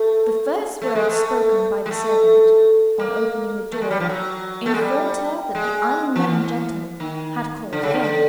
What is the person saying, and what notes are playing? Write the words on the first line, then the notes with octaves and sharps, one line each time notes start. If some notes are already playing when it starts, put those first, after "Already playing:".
The first words spoken by the servant, on opening the door, informed her that the unknown gentleman had called again.
Already playing: A3
A3
G#3
A3
G#3
A3
A#3
A3
G#3
G3
F3
F#3
A3
G#3
G3
G#3
F3
E3
D#3
D3
C#3
D3